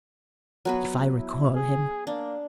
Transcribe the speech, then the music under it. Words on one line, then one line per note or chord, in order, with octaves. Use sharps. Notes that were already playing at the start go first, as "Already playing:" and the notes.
If I recall him!
F#3 B3 B4
E4
G#4
A#3 D4